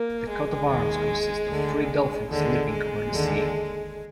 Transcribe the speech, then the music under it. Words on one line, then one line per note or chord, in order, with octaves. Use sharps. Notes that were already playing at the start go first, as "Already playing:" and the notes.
The coat of arms consists of three dolphins leaping over the sea.
Already playing: A#3
G#3
D#2 D#3
D2 D3
D#2 D3 G#3
G#3
D#2 D3